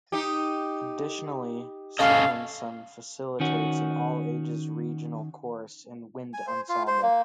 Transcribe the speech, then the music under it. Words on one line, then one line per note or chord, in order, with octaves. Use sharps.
Additionally, Cinnaminson facilitates an all-ages regional chorus and wind ensemble.
D#4 G4
C#4 A4 D#5 F5
D#3 C#4 F#4
G#5
C5
F4
C5
A#3